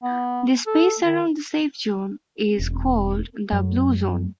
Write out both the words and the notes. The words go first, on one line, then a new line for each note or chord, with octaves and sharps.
That space around the safe zone is called the blue zone.
B3
A4
D#3
E1
F#2